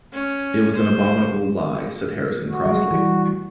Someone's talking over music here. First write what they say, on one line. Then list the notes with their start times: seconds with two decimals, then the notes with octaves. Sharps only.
"It was an abominable lie," said Harrison crossly.
0.13 C#4
0.76 C5
2.50 F#4
2.66 F#3 G#3
2.91 E3 G3